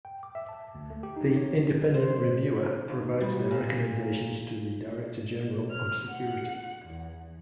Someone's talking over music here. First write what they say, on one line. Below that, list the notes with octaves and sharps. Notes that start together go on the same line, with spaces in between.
The Independent Reviewer provides their recommendations to the Director-General of Security.
G5
D6
E5
A5
D2
A3
G4
D#4
C#5
C5
D#2
G3
A#2
F6
F#5
E2